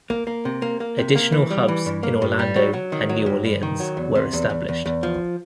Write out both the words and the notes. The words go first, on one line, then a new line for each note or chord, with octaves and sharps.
Additional hubs in Orlando and New Orleans were established.
A#3
A#3
C3
A#3
A#3
C3
A#3
E3
G3
E3
G2
A#3
G2
G3
F#3
F#3
D#3
F#3
G2
G2
D#3
F#3
E2
C3
E2
E2
E2
E2
F3